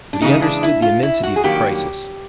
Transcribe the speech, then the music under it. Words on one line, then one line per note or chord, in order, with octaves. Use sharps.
But he understood the immensity of the crisis.
D4
C#3 E3 G#3 D#4
D4
E4
F4
E4
F#4
G#4
G2 D#3 F#3 A#3 G4